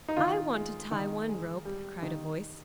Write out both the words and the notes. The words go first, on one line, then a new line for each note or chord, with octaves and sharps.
"I want to tie one rope," cried a voice.
D#4
D#3 F4
G#3
D#3
G#3
G3
D#3